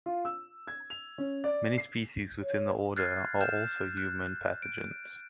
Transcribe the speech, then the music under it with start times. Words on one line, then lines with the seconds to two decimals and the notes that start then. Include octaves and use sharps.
Many species within the order are also human pathogens.
0.06 F4
0.25 E6
0.67 G#6
0.90 F7
1.18 C#4
1.44 D5
1.78 C7
2.42 C#5
2.96 F6 F#6 G#6 A6 C7
3.41 F6 G6 E7
3.97 F#6
4.62 D7